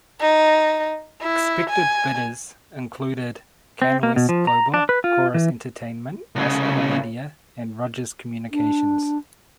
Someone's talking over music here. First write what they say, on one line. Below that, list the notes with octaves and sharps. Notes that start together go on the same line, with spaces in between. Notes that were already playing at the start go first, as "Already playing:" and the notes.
Expected bidders included Canwest Global, Corus Entertainment, Astral Media, and Rogers Communications.
D#4
E4
G#5
C4
A#3
B2
F3
A#5
D4
B4
F4
E3
C2 C#3
D4